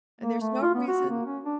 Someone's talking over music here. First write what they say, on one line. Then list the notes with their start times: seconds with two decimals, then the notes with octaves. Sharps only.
and there's no reason
0.21 A#3
0.41 A3
0.62 F4
0.75 B3
0.88 F#4
1.09 A#3
1.26 C#4
1.44 D4